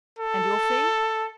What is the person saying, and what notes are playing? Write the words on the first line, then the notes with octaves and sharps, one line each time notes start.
"And your fee?"
A4